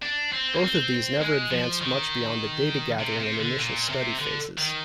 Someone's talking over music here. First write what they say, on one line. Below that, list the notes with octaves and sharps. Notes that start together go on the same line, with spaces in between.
Both of these never advanced much beyond the data gathering and initial study phases.
D4
C4
A#3
C4
G#3
F3
D#3
C3
C3
D3
A#2
C3
D3
D#3